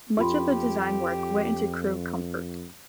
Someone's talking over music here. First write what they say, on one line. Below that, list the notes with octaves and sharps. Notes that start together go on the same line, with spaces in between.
Much of the design work went into crew comfort.
F2 F4 G4 B5 C6